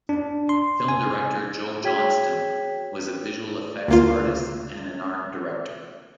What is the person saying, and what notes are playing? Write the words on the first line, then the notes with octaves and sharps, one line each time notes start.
Film director Joe Johnston was a Visual effects artist and an Art Director.
D4
C6
G#5
F#4 G#4 C#5 G5 G#6 B6
D2 A#3 F4